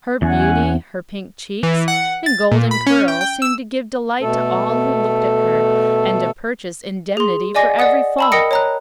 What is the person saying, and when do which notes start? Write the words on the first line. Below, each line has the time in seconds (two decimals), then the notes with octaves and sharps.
Her beauty, her pink cheeks and golden curls, seemed to give delight to all who looked at her, and to purchase indemnity for every fault.
0.22 E2 C#4 F#5 G#5
1.63 E3
1.88 F#5
2.26 A6
2.52 A#2
2.71 B5
2.86 C#4
3.08 G5
3.21 G5
3.42 E6
4.22 B2 A3 A4
7.17 G#4 C6
7.55 D5 D#5 G#5 D6 A#6
7.79 D5 D#5 F#5 D#6
8.19 A5 B5 E6
8.32 A#4 D#5 G5 D#6 A#6 C#7
8.51 C#5 A#5 F#6